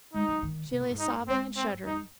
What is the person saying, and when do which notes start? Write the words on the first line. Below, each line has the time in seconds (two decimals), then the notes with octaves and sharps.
She lay sobbing and shuddering.
0.14 G#3 D#4
0.28 F3
0.43 D#3
0.71 C3
0.80 A#2
0.90 G#2
0.99 D#4
1.28 G#2 C4
1.57 C4
1.85 F2 D#4